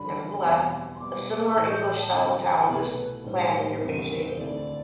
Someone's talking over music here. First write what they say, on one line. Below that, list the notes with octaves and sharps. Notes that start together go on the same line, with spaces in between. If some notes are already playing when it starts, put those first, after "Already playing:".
Nevertheless, a similar English-style town is planned near Beijing.
Already playing: F#2 D3 G3 D4 B5
E2 B2 G3 C4 E4
C6
B2 G3 B3 D6
A2 E3 G3 E6
G6
A5
F#2 D3 G3 C4
C2 B2 A3 E4 B4
A2 G3 D4 C5
E2 C3 G3 C4 E4
B4
C5
D2 D3 A3 C4 E4 D5